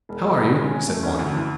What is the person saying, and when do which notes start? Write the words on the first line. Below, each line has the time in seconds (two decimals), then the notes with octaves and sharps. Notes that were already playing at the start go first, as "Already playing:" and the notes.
"How are you?" said one.
0.09 E1
0.25 E1
0.41 E1
0.56 G#3
0.71 C#4
0.88 A3
1.03 C#4
1.19 D2
1.34 E3